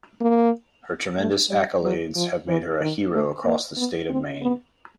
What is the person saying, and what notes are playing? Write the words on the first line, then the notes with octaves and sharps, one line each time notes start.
Her tremendous accolades have made her a hero across the state of Maine.
A#3
A3
G3
F#3
F3
E3
D#3
A3
A#3
B3
C4
B3